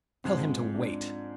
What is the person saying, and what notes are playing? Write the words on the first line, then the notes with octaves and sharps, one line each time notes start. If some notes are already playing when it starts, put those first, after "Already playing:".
Tell him to wait.
G#2 F3 G#3 C4
D4